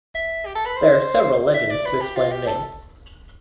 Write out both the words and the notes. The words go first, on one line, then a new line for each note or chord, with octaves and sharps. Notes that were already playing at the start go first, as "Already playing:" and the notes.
There are several legends to explain the name.
E5
G4
A4
B4
C5
E5
D5
B4
G4
F4
G4
A4